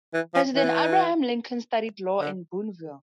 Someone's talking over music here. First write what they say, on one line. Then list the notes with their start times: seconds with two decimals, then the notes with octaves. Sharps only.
President Abraham Lincoln studied law in Boonville.
0.14 E3
0.34 F3
0.56 E3
2.21 D3